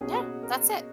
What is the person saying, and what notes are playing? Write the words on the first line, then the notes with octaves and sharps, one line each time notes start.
Yeah, that's it.
B2 A#3 C#4 G#4
F#4
G#4
A#4